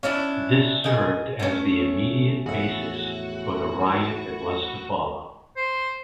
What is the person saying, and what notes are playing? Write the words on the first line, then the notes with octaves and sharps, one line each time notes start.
This served as the immediate basis for the riot that was to follow.
C#4 D4 E4 A5
G#4 D#5
A3 C#4
E2 A2 F3 E4 F#4 G#4 E5
C5